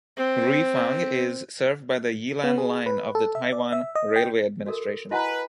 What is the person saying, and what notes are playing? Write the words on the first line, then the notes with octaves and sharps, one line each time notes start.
Ruifang is served by the Yilan Line of the Taiwan Railway Administration.
C4
B3
G#4
B4
A4
E5
D5
E5
D#5
G5
F#4 A4 A#4
E4 F#4 B4 D#5 F#5 G#5 A#5